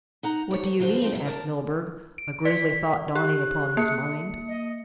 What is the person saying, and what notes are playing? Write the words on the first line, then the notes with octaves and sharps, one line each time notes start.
"What do you mean?" asked Milburgh, a grisly thought dawning upon his mind.
D#4 F#5 A#5
F2 C#5
D3 F3 F4 F#4 C5
F3 C4 D#4
F2 E3 F#3
A#4 D5 A5
D7
D5 B6
G4 F#6
A#3 C#7
D#5